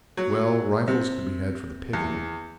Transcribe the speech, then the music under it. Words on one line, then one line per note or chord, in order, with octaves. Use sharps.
Well, rifles could be had for the picking.
F#3
C3
E2